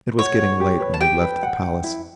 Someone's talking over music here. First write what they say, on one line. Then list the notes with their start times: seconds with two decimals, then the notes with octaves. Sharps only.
It was getting late when we left the Palace.
0.19 C#5 F#5
0.39 F#5
0.60 G4
0.80 B4
0.94 A5
1.01 G4 G5
1.22 B4
1.43 F#5
1.62 F#5
1.84 E4